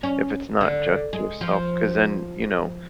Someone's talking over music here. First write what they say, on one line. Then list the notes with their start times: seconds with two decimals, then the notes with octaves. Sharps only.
If it's not just yourself, 'cause then, you know,
0.03 C#4
0.61 D3
1.13 G#3
1.41 F3